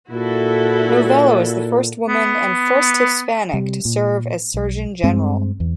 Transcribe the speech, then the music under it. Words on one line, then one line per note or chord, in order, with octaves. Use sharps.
Novello is the first woman and first Hispanic to serve as Surgeon General.
A#2 E4 F#4 A4
B3
C3 G3
A#2
B1
G2 G#3 C4
E2